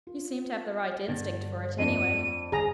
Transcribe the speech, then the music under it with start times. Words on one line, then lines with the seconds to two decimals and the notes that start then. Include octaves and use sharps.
"You seem to have the right instinct for it, anyway."
0.07 F4
1.08 G2 D3
1.78 F2 D4 D#7
2.52 G1 G#4 A#5